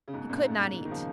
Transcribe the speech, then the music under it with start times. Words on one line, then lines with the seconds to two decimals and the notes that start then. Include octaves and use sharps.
He could not eat.
0.08 C#3
0.13 G#2 B2
0.29 F#2 A#2
0.45 G#2
0.60 G#2
0.85 D#3
0.91 C#3 F3